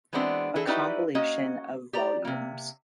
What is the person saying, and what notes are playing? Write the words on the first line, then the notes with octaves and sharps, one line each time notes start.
A compilation of vols.
E3 G#3 B3 C4 D4 F#4
E3 G#4 A4
D#4 E4 F#4 G4 B4 D5
A#3 C#4 F#4 D#5
G4 D5 A#5
C3 A#3